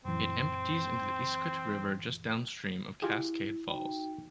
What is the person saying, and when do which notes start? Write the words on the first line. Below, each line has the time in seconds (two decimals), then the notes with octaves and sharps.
It empties into the Iskut River just downstream of Cascade Falls.
0.05 F#2 A#2 E3 C4
3.02 E4 F4 G4 G#4
3.68 D#4 F#4 G5